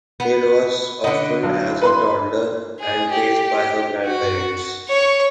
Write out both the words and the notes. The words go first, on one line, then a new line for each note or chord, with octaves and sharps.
Hill was orphaned as a toddler and raised by her grandparents.
B3
D3 B3 D#5
B1
B4 B5 C6
G#4
G4
F#4
C#5 C#6